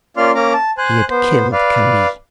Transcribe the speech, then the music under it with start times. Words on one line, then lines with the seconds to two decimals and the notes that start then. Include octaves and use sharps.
He had killed Camille.
0.17 A#3 C#4 F4 D5 C6 F6
0.35 A#3 C#4 A#5 D6 F6
0.53 A5
0.78 C5 G#5 F#6
1.09 B3 C5
1.52 B4 D5 F5